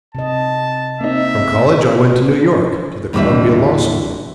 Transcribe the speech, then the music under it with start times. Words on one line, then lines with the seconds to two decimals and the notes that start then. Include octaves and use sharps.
From college I went to New York, to the Columbia Law School.
0.15 C3 D#5 A5
1.01 A#3 C4 D#4 E5
3.13 D#2 A2 D3 E3 G3 E5